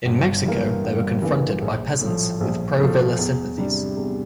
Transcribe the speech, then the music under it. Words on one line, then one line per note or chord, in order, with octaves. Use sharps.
In Mexico they were confronted by peasants with pro Villa sympathies.
G1
G2 E3 A#3
G1
G2 E3 A#3
A#1
A2 F3
A#1
A2 F3
E2
C3 G3 D4
E2